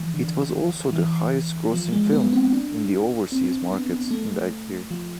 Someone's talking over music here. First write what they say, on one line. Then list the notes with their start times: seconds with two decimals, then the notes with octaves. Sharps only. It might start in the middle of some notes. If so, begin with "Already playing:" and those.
It was also the highest-grossing film in the overseas markets that year.
Already playing: E3 F3
0.14 D3
0.93 E3
1.73 F3
1.93 G#3
2.12 B3
2.33 C4
2.53 D4
3.32 C4
3.72 B3
4.11 A3
4.91 F3